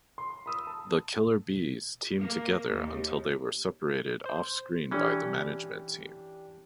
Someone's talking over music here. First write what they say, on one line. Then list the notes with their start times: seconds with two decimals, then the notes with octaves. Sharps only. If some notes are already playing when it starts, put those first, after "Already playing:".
The Killer Bees teamed together until they were separated off-screen by the management team.
0.18 C6
0.46 B5 D#6 E6
0.67 A5
2.19 A#3
2.71 D#2
4.26 C5
4.91 E3 C#4 D4 G4